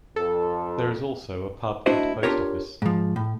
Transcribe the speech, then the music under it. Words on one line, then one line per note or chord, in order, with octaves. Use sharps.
There is also a pub and a post office.
F2 A4
A3 D4 E4 F#4 C5 D#5
D4 F4 G4 A#4 C#5
G#2 F3
A2